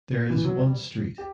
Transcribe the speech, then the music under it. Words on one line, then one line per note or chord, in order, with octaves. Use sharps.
There is one street.
E3
F#3
G3
G4